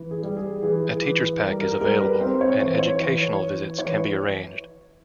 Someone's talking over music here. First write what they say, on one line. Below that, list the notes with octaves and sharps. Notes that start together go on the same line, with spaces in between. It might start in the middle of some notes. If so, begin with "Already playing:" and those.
A teacher's pack is available and educational visits can be arranged.
Already playing: E3
G#4
G3
G#4
E3 G#4
E3
G3 A#4
A#4
G3 A#4
B4
C4 C5
C5
C#5
E3 C5
C#5
E3
E3
E3 C#5